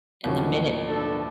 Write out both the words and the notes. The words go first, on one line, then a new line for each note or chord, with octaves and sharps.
And the minute
D#2 A2 D#3 F3 F#3
B1 D4 A4